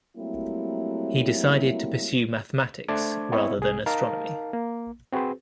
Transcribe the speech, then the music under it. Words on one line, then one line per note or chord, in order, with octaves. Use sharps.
He decided to pursue mathematics, rather than astronomy.
F#3 G3 A3 A#3 C4 E4
A3 D4 C5 A5 D6 G#6
B3 C4 E4 C#5 D#5
C2 G#4
D#4 A#4 F5 A5
A#3
C4 F#4 G#4 B4 C5